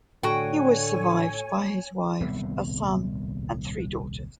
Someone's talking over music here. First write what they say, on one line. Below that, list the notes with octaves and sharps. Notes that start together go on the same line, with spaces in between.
He was survived by his wife, a son, and three daughters.
A2 D3 F#4 A4 C#5 G5 G#5
D#1 C2 A2 B3